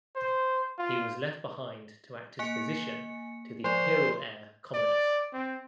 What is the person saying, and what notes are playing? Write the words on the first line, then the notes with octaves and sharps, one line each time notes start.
He was left behind to act as physician to the imperial heir Commodus.
C5
F4
A#3 G#5 C#7
F3 C5 D5
D5
C4